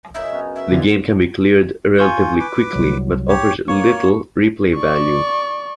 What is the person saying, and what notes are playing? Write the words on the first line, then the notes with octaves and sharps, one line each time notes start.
The game can be cleared relatively quickly, but offers little replay value.
F#2 C#3 D#4 E5
B3 C#4
E5
D3 G#3 D4 E4 F5 G#5
F4 G#5 C#6 G6
B4 D6
C2 F#3
G4 C#5
A#3 C#5 C#6
D5 C#6